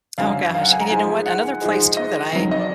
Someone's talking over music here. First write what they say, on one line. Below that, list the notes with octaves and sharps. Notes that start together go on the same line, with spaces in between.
Oh gosh, and you know what, another place too that I
F#2 D3 F#3 F5
F5
F#5
G#5
A#5
G#2 F3 G#3 G#5
F#5
G#2 F3 G#3
D#5
F2 D#3 F#3
D#5
D5